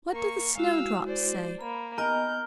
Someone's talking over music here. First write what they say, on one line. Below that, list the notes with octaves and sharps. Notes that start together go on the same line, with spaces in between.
What did the Snowdrops say?
A#3 A#4 C#6
G#3 E4 F#4 F5 E6
C5 D5
A#3 B5
B3 A#4 D#5 G#5 G6